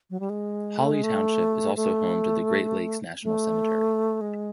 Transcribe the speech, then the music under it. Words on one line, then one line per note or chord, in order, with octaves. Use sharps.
Holly Township is also home to the Great Lakes National Cemetery.
F#3
G3
G#3
A3
G#3
A3
A3
A3
G#3